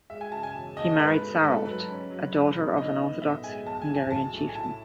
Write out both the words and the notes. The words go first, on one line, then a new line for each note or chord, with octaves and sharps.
He married Sarolt, a daughter of an Orthodox Hungarian chieftain.
G#3 E5
G#5
C#3 A5
G#5
E1
D#2 D#5
G#2 B4
A3
G#2 A4
F#3 B4
C#4
F#3
C#2
B2
D#4 D#5
B3
A2 E5
G#3 G#5
B1 A5
G#5
E3
G#5
B1 A5
A2
G#5
E4 A5